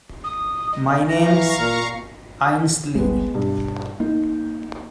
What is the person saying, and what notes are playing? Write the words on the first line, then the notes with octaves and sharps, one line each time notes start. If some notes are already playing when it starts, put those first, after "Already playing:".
My name’s Ainslie.
D#6
D#5
E3 F5 A#5 C#6 A#6
A#2
G1 C#2 G3 G#3 B3
G2 B2
A#3 D#4